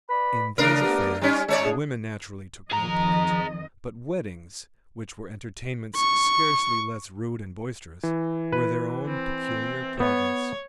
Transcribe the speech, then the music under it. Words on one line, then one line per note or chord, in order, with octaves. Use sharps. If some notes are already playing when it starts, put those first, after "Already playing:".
In these affairs the women naturally took no part; but weddings, which were entertainments scarcely less rude and boisterous, were their own peculiar province.
B4 D5 B5
C#3 A3 D4 A#4
B3 G4
G3 C#4 D#4
G#3 D#4 C#5 D5
C#3 D4 G#4
F2 D#3 G#4 D#5 A#5
C#6
E3
B4
C4
B3 C#5